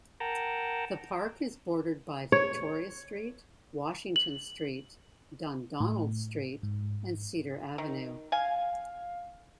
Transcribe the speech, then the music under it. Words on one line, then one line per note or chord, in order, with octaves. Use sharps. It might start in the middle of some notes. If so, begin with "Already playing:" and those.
The park is bordered by Victoria Street, Washington Street, Dundonald Street and Cedar Avenue.
A#4 F#5 G5 A5 A#5
C#5
F#7
A2
G#2
D#3
F5 G#5